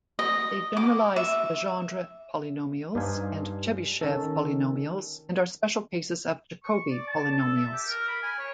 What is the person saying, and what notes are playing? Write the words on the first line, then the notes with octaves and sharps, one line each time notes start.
They generalize Legendre polynomials and Chebyshev polynomials, and are special cases of Jacobi polynomials.
D#5
D6
E5
G2 D4 D#4 C5 F5 G#5
D#3 C#4 A4
C#6
D5
A5
A4
E5
G4
A#4
B5
G#5
C#5